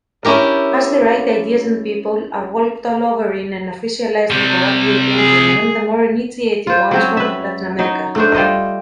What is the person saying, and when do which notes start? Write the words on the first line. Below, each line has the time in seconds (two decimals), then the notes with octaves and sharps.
As the right ideas and people are walked all over in an officialized and corrupt European Union, the more initiative ones went to Latin America.
0.25 C#4 E4 G4 A#4
4.30 C3 G3
5.15 G#4
6.67 F4 C5
6.91 F#3 C4 C#4
7.17 B4 E5
7.79 F#3 D#4
8.16 A3 D4 C5
8.34 G3 F4 C5 D#5